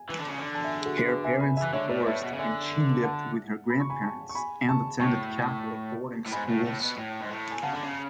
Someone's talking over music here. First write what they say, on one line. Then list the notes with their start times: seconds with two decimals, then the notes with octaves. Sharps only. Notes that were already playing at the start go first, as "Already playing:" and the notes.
Her parents divorced and she lived with her grandparents and attended Catholic boarding schools.
Already playing: G#5
0.09 E3
0.20 D3
0.28 C#3
0.38 D3
0.55 A5
0.63 E5 G#5
0.80 G#4
0.86 F#4 A4
1.08 G#4 B4
1.24 E5 G#5
1.40 G#5 B5
1.57 E5 G#5
1.62 E3
1.73 D3 C#5 E5
1.89 A2 B4 D5
2.02 G#2
2.05 A2 C#5 E5
2.22 B2
2.33 C#3
2.38 D3 E5 G#5
3.04 F#5 A5
3.70 B5
3.80 C#6
3.90 G#5 B5
4.02 A5 C#6
4.29 C#6
4.35 G#5 B5
4.69 A5 C#6
5.00 A2 A5 C#6
6.26 A2
6.32 G#2 G#5 B5
6.49 A2
6.65 A2
6.81 B2
6.98 A2
7.21 G#2
7.30 A2
7.51 G#5
7.63 C#3 F#5 A5
7.73 D3
7.82 C#3